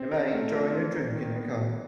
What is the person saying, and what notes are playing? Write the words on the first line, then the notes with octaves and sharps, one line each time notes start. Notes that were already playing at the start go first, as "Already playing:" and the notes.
A man enjoying a drink in a cup.
Already playing: C4
A#4
A3
F4
C4
A#4
D#3
B3
F#3